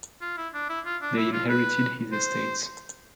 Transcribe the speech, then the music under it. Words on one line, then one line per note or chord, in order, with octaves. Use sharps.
They inherited his estates.
F4
E4
D4
E4
F4
D4
E4
F4
B4
C5